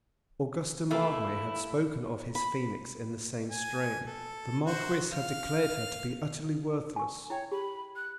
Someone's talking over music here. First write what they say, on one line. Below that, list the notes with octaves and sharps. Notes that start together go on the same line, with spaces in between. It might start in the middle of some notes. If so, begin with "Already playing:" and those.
Augusta Mildmay had spoken of his Phoenix in the same strain. The Marquis had declared her to be utterly worthless.
C3 A3 A#3 E4
B5
G#5
A4
F#4 C5
F5
G#5 C#6
E4 C#5 G5
G4 B5
F#6